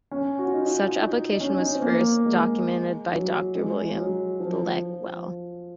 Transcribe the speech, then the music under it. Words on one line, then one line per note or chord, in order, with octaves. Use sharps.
Such application was first documented by Doctor William Bleckwell.
C#4
F#4
F4
D#4
D#4
F#4
F4
D#4
D#4
C#4
D#4
C#4
C4
A#3
G#3
F#3
G#3
F#3
F3
F3